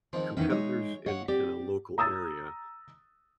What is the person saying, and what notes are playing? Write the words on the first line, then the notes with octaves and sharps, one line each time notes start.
competitors in in a local area,
G#2 D#3 F3 C4
E2 D#3 E3 F#3 B3 C#4 E5
G#3 D#4 C#5
C#5 D#5 F5 F#5
C4 G4 D5
A#5 D#6 E6 A6